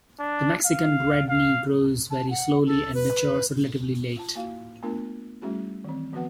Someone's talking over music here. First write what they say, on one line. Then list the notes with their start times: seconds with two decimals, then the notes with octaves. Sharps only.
The Mexican redknee grows very slowly and matures relatively late.
0.20 D4
0.66 F5
1.29 F5
2.10 A5
2.30 F#5
2.65 A4
2.94 B4
4.17 F4 A5
4.35 A#3 E4 F#4 F5
4.82 A3 B3 D4 F4 A#4
5.42 G3 A3 C#4 E4 F#4 G#4
5.84 D#3 E3 C4
6.12 D#3 F3 B3 F#4 B4 F#5